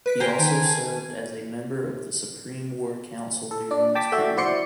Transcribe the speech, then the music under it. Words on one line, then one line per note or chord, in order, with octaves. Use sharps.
He also served as a member of the Supreme War Council during this period.
B4 B6 D7
A#4 C5 G5 G#5
D#3 A5
A4
D4 D5
G5 A5 D6 B6
A3 F#4 D5 E5 G5
E4 F#4 C5 D5 C6 C#7